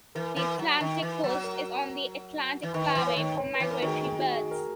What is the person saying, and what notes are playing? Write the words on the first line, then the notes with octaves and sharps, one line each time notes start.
The Atlantic coast is on the Atlantic Flyway for migratory birds.
E3 A#4
E3
F#3
D#3
E3
F#3
A#4
E3
D#3 B4
E3 B4
C#5
D#3
C#5
B4
E3
A#4
D#3 F#4 G#4
G#4
F#4
G#4
A#4